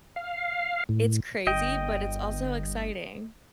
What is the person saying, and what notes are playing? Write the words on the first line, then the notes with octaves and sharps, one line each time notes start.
it's crazy, but it's also exciting.
F5
A2
G1 D#5 G5